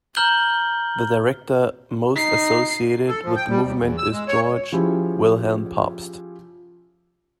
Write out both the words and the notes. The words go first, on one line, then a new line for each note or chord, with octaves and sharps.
The director most associated with the movement is Georg Wilhelm Pabst.
A#5 F6 G6 F#7 G7
D#4 C7
A4
F3
G5
G3
D#2
E2
E6
G#3
C#5
F3 C#4 E4 G4 G#4